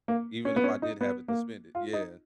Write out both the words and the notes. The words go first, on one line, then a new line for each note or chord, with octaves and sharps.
even if I did have it to spent it yeah.
A#3
C#4
B3
C#4
D#4
B3
A#3
F4
D#4